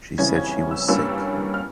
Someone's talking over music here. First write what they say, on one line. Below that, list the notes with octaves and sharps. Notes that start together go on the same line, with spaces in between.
She said she was sick.
F2 C#3 E3 G3 C#4 G#6
G#6
E6
G2 G3 A#3 C#4 E6
F6